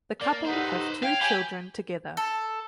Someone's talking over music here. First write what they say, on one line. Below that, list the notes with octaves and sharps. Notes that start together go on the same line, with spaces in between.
The couple have two children together.
A#3 D5
D#4 G4 A4 B4 C5 F#5
C#5 F5 G5 G#6
G4 G#5 B5
A4